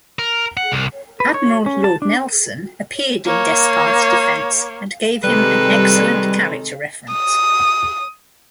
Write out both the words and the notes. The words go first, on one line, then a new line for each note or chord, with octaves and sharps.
Admiral Lord Nelson appeared in Despard's defence and gave him an excellent character reference.
A#4
F#5
C2
B4
C#5
C#4
A5
D4
A#3 C#5
C3 D#3 G3 G#3 A4 B4
D#6